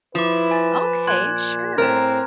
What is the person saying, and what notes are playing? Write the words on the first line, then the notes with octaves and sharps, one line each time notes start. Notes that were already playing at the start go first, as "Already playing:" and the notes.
Okay, sure.
F3 E4 B4 D6 E7
G#5 A6
A#2 C6 F#6 G#6
A2 C4 A#4 A#5 F6